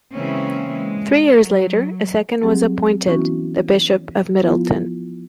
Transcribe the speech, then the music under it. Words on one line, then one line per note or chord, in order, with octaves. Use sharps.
Three years later a second was appointed, the Bishop of Middleton.
C#3 E3 G#3 A#3 C4 C#4
G#3
F#3
F#3 G3 C4 G4 G#4
E3 B3 C#4 E4 F#4 C#6
F3 B3 E4 F4